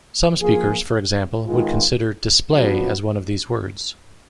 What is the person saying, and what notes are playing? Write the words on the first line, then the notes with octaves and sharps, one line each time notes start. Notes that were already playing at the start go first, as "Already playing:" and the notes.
Some speakers, for example, would consider "display" as one of these words.
F3 A#3 F4 G#4
G#2 D#3 G#3 B3 F4
F#2 F3 B3 D4 F#4